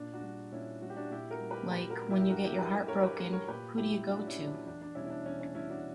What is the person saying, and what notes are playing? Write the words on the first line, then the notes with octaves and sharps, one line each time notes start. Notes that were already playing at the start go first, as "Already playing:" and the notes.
Like, when you get your heart broken, who do you go to?
Already playing: A#2 D4
D4 F#4
G3
A#2 C#4 E4
G3 F#4
G4
D4 F#4
A#2 E4 G4
F#4 A#4
G3
G4 B4
A#2 G4 B4
F#4 A#4
G3
E4 G4
G4
G2 F#4 A#4
E4 G4
A#4
F#3 G4 B4
G4 B4
G2 A#4 C#5
G4 B4
F#3 A#4 C#5
A#4 C#5
A#2 G4 B4
F#3 E4 G4
A#2 D4 F#4
C#4 E4
F#3
D4
E2 D4
D4
B2 G3 C#4 E4
E4
D4
E2 C#4
C#4
B2 G3 C#4 E4
D4 F#4